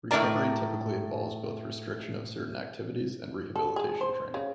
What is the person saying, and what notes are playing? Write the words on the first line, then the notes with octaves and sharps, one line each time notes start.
Recovery typically involves both restriction of certain activities and rehabilitation training.
A2 A3 D4 A#4 D5 A#5
A4
G#4
C5
C#3